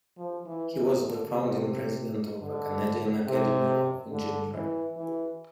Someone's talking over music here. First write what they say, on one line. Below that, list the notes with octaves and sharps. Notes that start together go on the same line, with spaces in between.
He was the founding President of the Canadian Academy of Engineering.
F3
E3
E3
D3
C3
D3
C3
D3
E3
E3